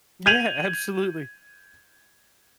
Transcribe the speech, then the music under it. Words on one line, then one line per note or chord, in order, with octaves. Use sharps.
Yeah, absolutely.
G6 G#6 D#7 F7 F#7